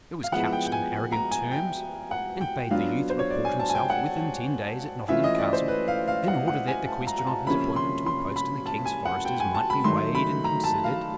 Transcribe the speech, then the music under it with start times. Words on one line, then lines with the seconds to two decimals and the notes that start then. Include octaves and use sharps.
It was couched in arrogant terms, and bade the youth report himself within ten days at Nottingham Castle in order that the question of his appointment to a post in the King's Foresters might be weighed and considered.
0.23 F5
0.32 F3 G#3 B3 E4 F#5
0.52 G5
0.66 G5
0.72 G#5
1.12 A#5
1.31 G#5
1.51 G5
2.11 F#5
2.41 G5
2.71 F#3 B3 D4 F4 F5
3.10 C5
3.19 C#5
3.30 D5
3.45 G#5
3.60 A5
3.69 G#5
3.75 G5
3.90 F#5
5.08 E3 A3 C#4 F4 E5
5.24 D#5
5.38 D5
5.53 C5
5.68 B4
5.88 F5
6.08 F5
6.28 F#5
6.47 F#5
6.68 G#5
6.87 A5
7.07 A#5
7.19 A#5
7.27 A5
7.47 C3 F3 A#3 C#4 B5
7.76 C6
8.06 C6
8.36 B5
8.66 A5
8.85 G#5
9.05 F#5
9.25 G5
9.40 G#5
9.55 A5
9.70 B5
9.84 D#3 F#3 A3 C6
10.15 B5
10.44 A#5
10.64 A5
10.84 F5